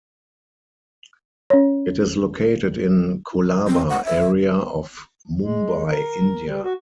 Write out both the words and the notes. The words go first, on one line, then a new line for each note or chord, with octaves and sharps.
It is located in Colaba area of Mumbai, India.
C#4 C#5
C4
F#5
E5
G#3
A#4
G3
F#4